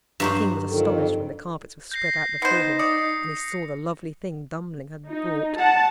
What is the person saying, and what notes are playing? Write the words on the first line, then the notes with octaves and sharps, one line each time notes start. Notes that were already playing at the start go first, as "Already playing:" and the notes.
The King was astonished when the carpets were spread out before him and he saw the lovely thing Dummling had brought.
G2 F#3 C5
F2 D3 D#3
G6 A#6 C7
B3 D#4 C5
D5 D#6 C#7
D#4
F#5 A5